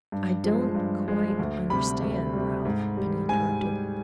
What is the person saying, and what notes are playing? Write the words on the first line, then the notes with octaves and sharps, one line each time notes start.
"I don't--quite understand, Ralph," Penny interrupted.
G2
F3 G#3
G2
F3 G#3
D2
C3 G3 B5
D2
C3 G3
G#2
G3
G#2 G#5
G3